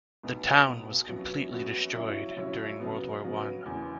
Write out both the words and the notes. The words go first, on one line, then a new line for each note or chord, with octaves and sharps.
The town was completely destroyed during World War One.
B1 B2 B3
B1 B2 B3
F#2 F#3 B3 F#4
F#2 F#3 B3 F#4
C#3 F#3 E4 C#5 E5
C#3 F#3 E4 C#5 E5
C#3 F#3 B3
C#3 F#3 B3
F#1 E2 C#3